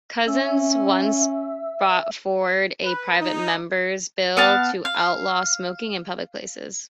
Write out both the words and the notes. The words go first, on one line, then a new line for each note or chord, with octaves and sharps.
Cousens once brought forward a private member's bill to outlaw smoking in public places.
C#4 E5
B4
D#4
B3 F5 A5
F5